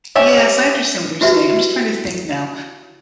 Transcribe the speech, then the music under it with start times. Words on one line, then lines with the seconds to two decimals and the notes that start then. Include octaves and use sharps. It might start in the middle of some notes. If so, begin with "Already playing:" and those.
Yes, I understand what you're saying, I'm just trying to think now.
0.15 C#4 G4 E5
1.21 E4 F#4 G4 B4 E5